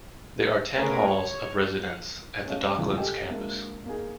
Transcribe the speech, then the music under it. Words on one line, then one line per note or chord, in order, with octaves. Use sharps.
There are ten halls of residence at the Docklands Campus.
A3 C#4 G#4 A#4 B4
C#5
F5 F#5
A3 C#4 D#5 F5
E2 A#2 C#3 E3 G#3 A3
G4 A4 D#5 G5 G#5
G#3 A#3 D4 F#4 E5
A#3 D#4 G#4